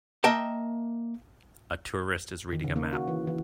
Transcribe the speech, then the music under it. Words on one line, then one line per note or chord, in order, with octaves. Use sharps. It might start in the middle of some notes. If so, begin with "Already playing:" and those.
A tourist is reading a map.
A#3 D#5 E5 G5 A5
D#3
C#3
A#3
F#4
E3
E3